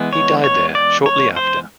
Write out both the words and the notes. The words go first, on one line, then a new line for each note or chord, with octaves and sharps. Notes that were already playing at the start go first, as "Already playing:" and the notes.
He died there shortly after.
Already playing: E3 G#3 B3
C#5
C#5
D5
C#5
C5